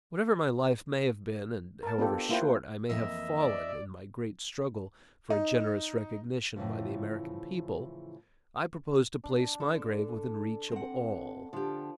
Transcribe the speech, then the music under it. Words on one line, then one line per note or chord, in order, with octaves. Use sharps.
Whatever my life may have been, and however short I may have fallen in my great struggle for a generous recognition by the American people, I propose to place my grave within reach of all.
A#4 A5
B3 D4 F4 G4 A4
A#3 E4 F4 B4 C5 G5
F2 E3 A#3 D#5 E5
D5
D#4
A2 C#3 E3 F3
D4
D3 A4
C4 F#5
D3 F3 G4